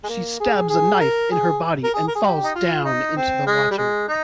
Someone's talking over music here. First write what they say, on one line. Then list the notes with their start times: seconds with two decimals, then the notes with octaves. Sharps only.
She stabs a knife in her body and falls down into the water.
0.04 G#3
0.08 A#3
0.40 G#4
0.70 G#4
1.00 A#4
1.31 G#4
1.84 A#4
1.94 G#4
2.07 A#4
2.15 G#4
2.24 G4
2.44 D#4
2.55 F4
2.85 D#4
3.17 C4
3.47 G#3
3.71 G3
3.78 G#3
4.08 D#4